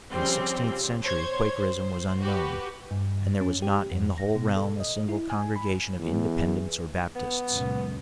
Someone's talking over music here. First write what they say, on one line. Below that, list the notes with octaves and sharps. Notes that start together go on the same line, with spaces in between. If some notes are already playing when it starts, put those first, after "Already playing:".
In the sixteenth century Quakerism was unknown; and there was not in the whole realm a single congregation of Independents or Baptists.
C#3 F3 G3 C4
C5 C#5 G#6
C5
F#4 G4 B4
G2
C#4
G4
F2
A#6
B2
A4
D#5
E4
G#5
B5
E2
B3
C#2 F#2 A#2